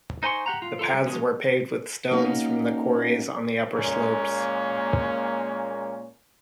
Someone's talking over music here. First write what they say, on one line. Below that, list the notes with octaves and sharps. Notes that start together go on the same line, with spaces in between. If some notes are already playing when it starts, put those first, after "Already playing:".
The paths were paved with stones from the quarries on the upper slopes.
D#4 C5 G#5 C6 C#6
G4 F#5 A#5
F4
F4 A4
G3
D3 F3 F#3 G#3 C#4
A#3 C#4 D#4 F#4
A#2 G#3 A#3 C#4